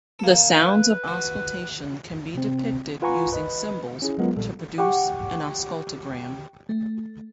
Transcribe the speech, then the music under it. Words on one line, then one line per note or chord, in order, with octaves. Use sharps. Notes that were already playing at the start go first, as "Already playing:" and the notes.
The sounds of auscultation can be depicted using symbols to produce an auscultogram.
A#3 A4
B4
F#4
C3 C4
F4 B4 F#5 G#5 A#5 C#6
B4 D#5 B5
C#4 E4 G#4
G1 F#3 G#3 B3 F4 A#4
A#1 A#2 G3 A4
G4 F#5 C#6
A3